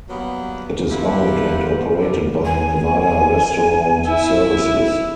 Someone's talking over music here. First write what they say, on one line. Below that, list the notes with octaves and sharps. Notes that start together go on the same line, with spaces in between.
It is owned and operated by Nevada Restaurant Services.
F#3 G3 A#3 B3
A#3 D4 E4 F4 G4 F#5
B2 D3 E3 F3 G3
G#5
E4 E5